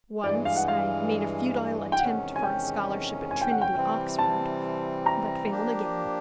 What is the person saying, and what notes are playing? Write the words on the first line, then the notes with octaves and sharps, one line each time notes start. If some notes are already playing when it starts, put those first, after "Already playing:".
Once I made a futile attempt for a scholarship at Trinity, Oxford,--but failed again.
G2 E3 G#3 D5
F5
F#5
F5
G5
E2 C3 D#3 G#3 C#4 F#5
G#5
G5
G#5
G5
F#5
G5
C3 E3 G3 C4
A5
A#5
F3 A#3 D4 G4